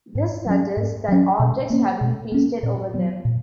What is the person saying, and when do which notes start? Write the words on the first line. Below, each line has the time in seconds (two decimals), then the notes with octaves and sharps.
This suggests that objects have been "pasted" over them.
0.15 G#2
0.46 F#3 C#4
0.77 G#2
1.08 F#3 C#4
1.39 B2
1.70 A#3 C#4
2.01 B2
2.32 A#3 C#4
2.63 A#2
2.94 F#3 B3
3.25 A#2